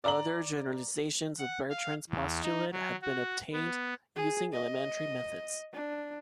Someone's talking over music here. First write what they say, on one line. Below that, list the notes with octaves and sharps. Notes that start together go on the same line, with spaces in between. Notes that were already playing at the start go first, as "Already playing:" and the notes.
Other generalizations of Bertrand's Postulate have been obtained using elementary methods.
D5 A#5 F#7
F#5
F5
E2
D#4
F#3
F#4
B3
G#4
D#5
D4